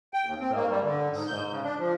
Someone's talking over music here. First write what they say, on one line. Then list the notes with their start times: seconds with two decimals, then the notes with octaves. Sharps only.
So so
0.14 G5
0.25 D#2
0.40 C4
0.55 A#3
0.70 G3
0.82 D3
1.13 G#2
1.27 G6
1.51 C#3
1.64 D4
1.79 F3